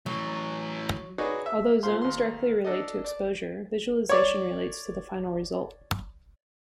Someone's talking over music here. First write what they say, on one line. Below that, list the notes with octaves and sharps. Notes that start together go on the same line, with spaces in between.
Although zones directly relate to exposure, visualization relates to the final result.
E3 F#3 A3
D#4 F#4 G#4 B4 C#5 D5
E5
A#2 C5 F5 C6
D#2 C6
D4 A4 D5 D#5
D5
C#5 D5